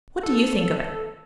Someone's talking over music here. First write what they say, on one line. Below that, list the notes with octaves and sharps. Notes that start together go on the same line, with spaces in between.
What do you think of it?'
A4